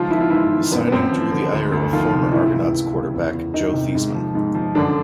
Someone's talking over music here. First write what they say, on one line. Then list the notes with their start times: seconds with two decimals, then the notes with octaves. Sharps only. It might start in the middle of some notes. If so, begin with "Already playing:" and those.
The signing drew the ire of former Argonauts quarterback Joe Theismann.
Already playing: G#2 C#3 F3 F4
0.11 D#3 E4
0.21 F4
0.30 G#2 E3 E4
0.51 D#3
0.72 F#2 B3
0.87 B3
0.92 F#2 C4
1.12 F3
1.32 D3
1.52 D2
1.72 D2
1.93 D#3 F3 F4
2.13 C3
2.33 C#2 E3 E4
2.53 C#2
2.74 E3
2.93 C#3
3.14 E2
3.34 E2
3.54 D#3 D#4
3.74 C3
3.95 G#2
4.15 F3
4.35 G#2
4.55 F3
4.75 F#2 D3 D4